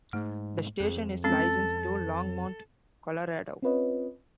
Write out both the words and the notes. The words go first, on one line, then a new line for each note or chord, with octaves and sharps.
The station is licensed to Longmont, Colorado.
G#2 A3
F2 G#4
G#3 C4 C#4 A4
C4 C#4 F4 B4 C#5 D#5